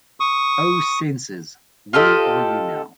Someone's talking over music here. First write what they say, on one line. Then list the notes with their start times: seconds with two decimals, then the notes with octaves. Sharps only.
O censors, where are you now?
0.20 C#6 D#6
1.93 F4 G4 A4 D#5